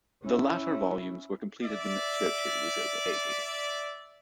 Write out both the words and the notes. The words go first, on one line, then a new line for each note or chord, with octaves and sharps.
The later volumes were completed when Churchill was over eighty.
C#4 E4
D5 E5